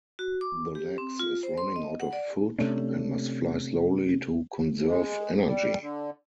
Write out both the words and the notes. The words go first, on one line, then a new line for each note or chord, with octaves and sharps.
The Lexx is running out of food and must fly slowly to conserve energy.
F#4
D6
G4
C4
F4
C5
C6
D#5
F#5
D5
C3 A3 C#4 D4
G#3
G3
D3